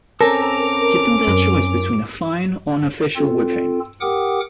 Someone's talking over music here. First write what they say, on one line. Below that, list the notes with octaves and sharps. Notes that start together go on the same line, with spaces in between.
Give them their choice between a fine or an official whipping.
C4 C#4 A4 A#4 D6
F#2
C4 F4 A4
G4 A#4 F#5 G5 D6 D#6